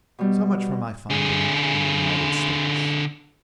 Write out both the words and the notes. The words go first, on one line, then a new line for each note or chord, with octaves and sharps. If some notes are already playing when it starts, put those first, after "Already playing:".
So much for my finding in the United States.
B2 G3 B3
D3 G#4